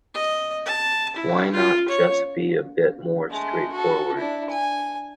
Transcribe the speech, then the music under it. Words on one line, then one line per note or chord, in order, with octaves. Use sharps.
Why not just be a bit more straightforward?
D#5
A5
E4
F4
C#5
G#3 A3
F#4 A4
D4 E4
G#5